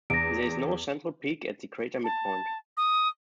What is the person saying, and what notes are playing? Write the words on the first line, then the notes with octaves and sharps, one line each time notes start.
There is no central peak at the crater midpoint.
E2 A#6 D7
A5
D#6